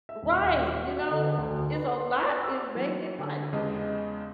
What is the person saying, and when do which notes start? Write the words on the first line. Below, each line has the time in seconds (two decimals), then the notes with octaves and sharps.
Right, you know? It's a lot in making money.
0.09 E5
0.22 D#1
0.85 F#4
1.11 D3
1.38 D2
1.74 B4
1.94 C6
2.18 C#6
2.44 E6
2.75 E3 F#3 A#3
3.19 D3
3.53 E2 C#3 G#3 G4 D#5 A5